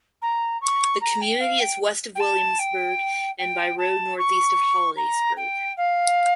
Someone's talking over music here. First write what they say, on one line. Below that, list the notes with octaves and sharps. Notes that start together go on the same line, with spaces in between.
The community is west of Williamsburg and by road northeast of Hollidaysburg.
A#5
C#6
A#5
G5
F5
G5
G5
A5
G5
G5
A5
C#6
A#5
G5
F5